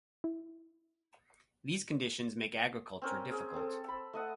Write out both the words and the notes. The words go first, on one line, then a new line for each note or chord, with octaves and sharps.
These conditions make agriculture difficult.
E4
C4 C#4 A#4
G#4
C4 A4
B5
A3 D#5 F#5